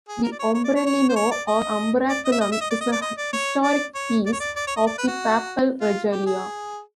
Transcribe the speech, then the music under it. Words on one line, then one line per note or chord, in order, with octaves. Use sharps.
The "ombrellino" or umbraculum is a historic piece of the papal regalia.
G#4
A#4
D5
C#5
C#5
D5
C#5
C#5
C5
C#5
D5
D#5
D5
D#5
E5
D#5
E5
D#5
D5
D#5
D5
D#5
D5
C#5
D5
C#5
D5
C#5
D5
D5
C#5
D#5
D5
B4
F#4
F4
G4
G#4